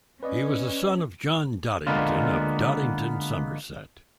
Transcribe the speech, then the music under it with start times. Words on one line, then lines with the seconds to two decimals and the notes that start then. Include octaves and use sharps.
He was the son of John Dodington of Dodington, Somerset.
0.23 C#4 B4 D5 D#5
1.87 D3 G#3 A#3 B3 F4